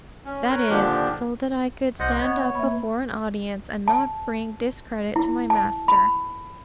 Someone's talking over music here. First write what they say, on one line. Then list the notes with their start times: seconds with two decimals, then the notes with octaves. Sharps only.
That is, so that I could stand up before an audience and not bring discredit to my Master.
0.25 C#4
0.50 A#4 B4 C#5 B5
0.69 A#2 D3 D#3 F3 D4 G4
2.00 C2 C5 D#5 F#5
2.21 B3 C#5 D#5 F#5
2.55 A#3 E5 B5
3.88 A5
5.16 E4
5.50 A5
5.88 B5